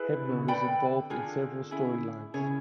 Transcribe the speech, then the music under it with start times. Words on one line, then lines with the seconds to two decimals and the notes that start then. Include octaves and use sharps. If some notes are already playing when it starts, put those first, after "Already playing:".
Hebner was involved in several storylines.
Already playing: E4 G#4 B4
0.17 D3
0.30 C#3
0.43 D3
0.48 B4 D5 G5 B5
1.10 D3 D4 F4 G#4
1.71 C#4 E4 G#4
2.34 C#3 C#4 E4 G#4 C#5